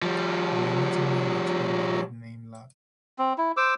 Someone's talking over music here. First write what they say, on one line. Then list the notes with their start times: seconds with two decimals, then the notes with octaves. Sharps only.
The new material which went under the name Lap.
0.02 F3 G3
3.19 C4
3.38 E4
3.57 C5 D6 E6